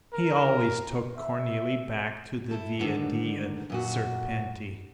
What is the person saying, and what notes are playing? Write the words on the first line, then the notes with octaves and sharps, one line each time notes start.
He always took Cornelie back to the Via dei Serpenti.
A#4
E5
E4 A4
G#2 D3 D#3 G3
F#2 A#2 F#4